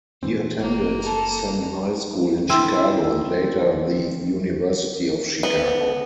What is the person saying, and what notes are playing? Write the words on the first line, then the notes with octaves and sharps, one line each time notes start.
He attended Senn High School in Chicago and later the University of Chicago.
A#2 E3 C4
F#1 A#3
A4
D3 E4 B4 G5 C6 E6
B3